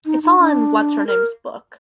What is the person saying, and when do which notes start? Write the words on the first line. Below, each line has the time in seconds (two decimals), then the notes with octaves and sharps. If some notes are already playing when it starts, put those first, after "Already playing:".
It's all in what's-her-name's book.
0.06 D#4
0.23 D#4
0.39 D4
1.07 A#4